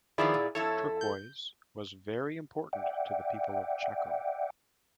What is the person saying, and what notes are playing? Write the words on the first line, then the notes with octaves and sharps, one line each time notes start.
Turquoise was very important to the people of Chaco.
D#3 F3 B3 E4 G#4 D5
A#2
F2 E4 A4 C#5
G6
D5 E5 F#5 G5